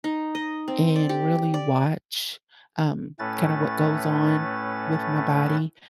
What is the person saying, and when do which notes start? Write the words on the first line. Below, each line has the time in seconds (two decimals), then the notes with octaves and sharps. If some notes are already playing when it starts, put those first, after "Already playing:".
and really watch, um, kinda what goes on with my body,
0.04 D#4
0.35 D#5
0.68 C4
0.96 D5
1.09 G4
1.54 D5
3.19 A2 A3 C#4 B4 A6